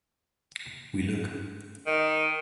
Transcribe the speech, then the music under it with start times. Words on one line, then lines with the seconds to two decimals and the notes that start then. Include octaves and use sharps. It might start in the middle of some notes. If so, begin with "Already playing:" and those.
We look.
1.87 D#3